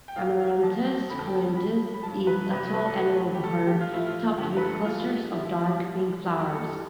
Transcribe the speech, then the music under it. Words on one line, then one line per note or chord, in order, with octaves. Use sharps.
"Amaranthus cruentus" is a tall annual herb topped with clusters of dark pink flowers.
G5
F2 E3 G3 F5
F5
E2 B2 G3 A5
F2 D3 F3 B5
A5
G5
A5
B2 G3 B5
B5
G2 F3 A5
B4
E2 C3 G3 B4
B4
A4
G2 F3 B4
G4
A2 G3 A4
G4
F4
A2 F3 E4
F4
G2 D3 F3 G4
B4
A4
A2 E3 G3 F4
B2 G3 E4
B2 G3
F2 E3 G3 E4
A4
G3